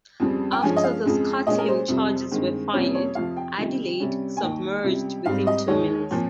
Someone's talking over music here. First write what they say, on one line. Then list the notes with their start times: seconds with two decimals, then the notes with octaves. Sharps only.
After the scuttling charges were fired, "Adelaide" submerged within two minutes.
0.20 F2 C#3 G3 C4
0.52 G5
0.62 G2 F3 G#3 C#4 G#5
0.76 D#5
0.84 F5
1.05 F2 C#3 G#3
1.47 A#2 G#3 C#4 D#5
1.58 A#4
1.68 C5
1.88 F2 C3 G3
2.31 G2 D#3 G#3 C4
2.73 F2 C3 G3 A#3 C#4 C#5
2.95 C#5
3.15 F2 C3 F3 F5
3.37 G5
3.57 C#2 C3 D#3 G3
4.00 C3 G3 C#4
4.37 G#5
4.41 D#2 D#3 A#3 G5
4.84 C#2 C3 G3
5.26 G#2 G3 C4 F5
5.47 D#5
5.68 D#2 D#3 G#3 C#5
6.11 A#2 F3 C4